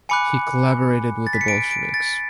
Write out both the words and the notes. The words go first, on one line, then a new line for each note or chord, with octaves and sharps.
He collaborated with the Bolsheviks.
G#5 B5 D6 F#6 C#7
A6
B6
C#7
D7
D7
A6